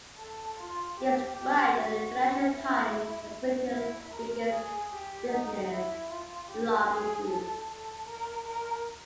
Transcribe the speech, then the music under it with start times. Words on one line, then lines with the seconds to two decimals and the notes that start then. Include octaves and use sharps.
Described by the "Financial Times" as "Britain's biggest business lobby group".
0.18 A4
0.58 F4
0.97 G4
1.36 G4
1.76 F#4
2.54 E4
3.73 E4
4.12 A#4
4.51 G#4
4.91 G4
5.30 D#4
5.69 E4
6.09 F4
6.48 G4
6.88 G#4
7.27 A4
7.67 A4
8.06 A#4
8.45 A#4